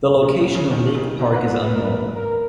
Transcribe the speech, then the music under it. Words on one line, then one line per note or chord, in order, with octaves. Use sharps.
The location of League Park is unknown.
A#2 C#4
B2
C#3
D#3
E3
D#3
C#3
B2 D#4
B4
G#2
B4
A#2
B4
A#4
B4
A#4